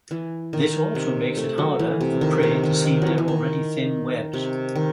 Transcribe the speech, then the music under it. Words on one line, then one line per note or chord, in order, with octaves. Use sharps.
This also makes it harder for prey to see their already thin webs.
E3
D#3
C3
A3
F#3
E3
C3
D#3
C3
D#3
D#3
E3 F#3
E3
D#3
C3
D#3